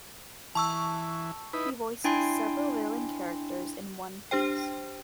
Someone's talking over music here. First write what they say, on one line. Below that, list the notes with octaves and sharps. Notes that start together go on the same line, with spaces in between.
He voices several villain characters in "One Piece".
E3 A5 C#6 E6
D#4 E4 B4
D4 E4 G5 G#5 C6 C7
D4 G4 C5 G5